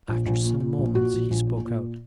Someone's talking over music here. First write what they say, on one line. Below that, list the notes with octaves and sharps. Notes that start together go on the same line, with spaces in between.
After some moments he spoke out.
A#1
A#1
A#2
A#2
A#1
A#2 F#4
A#1
A#1
A#2
A#2